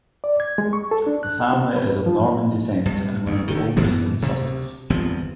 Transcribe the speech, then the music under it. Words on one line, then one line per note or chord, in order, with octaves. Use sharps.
The family is of Norman descent and one of the oldest in Sussex.
D5
G#6
G#3
C#6
A4
D4
F#6
C4
B4
F3
G2
D2
D3 D#3
F#2 B2 E3 B3
D2 C3
G1 E2 F3 C4